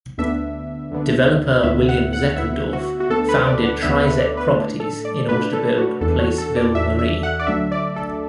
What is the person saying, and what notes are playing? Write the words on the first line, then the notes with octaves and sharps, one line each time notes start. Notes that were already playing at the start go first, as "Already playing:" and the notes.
Developer William Zeckendorf founded Trizec Properties in order to build Place Ville Marie.
D2 D3 B3 D4 E5
D2 D3 B3 D4
D2 D3 B3 E4 E5
F#5
F#5
D2 D3 B3 E4 E5
F#4
F#4
D2 D3 B3 D4 A4
B4
D5
F#5
D2 D3 B3 D4 E5
B4
D5
B4
A2 A3 D4
A4
D5
A2 A3 D4 B4
A4
F#4
E2 E3 D4 A4
F#4
A4
D5
E2 E3 D4 E5
E5
F#5
D5
D2 D3 F#3 A3 D4 E5
D5
A4